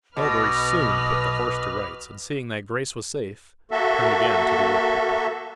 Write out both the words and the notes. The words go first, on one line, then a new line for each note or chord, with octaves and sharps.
Melbury soon put the horse to rights, and seeing that Grace was safe, turned again to the work-people.
B1 B2 B4 D#5 D6 D#6 F6
A#3 F#4 A4 E5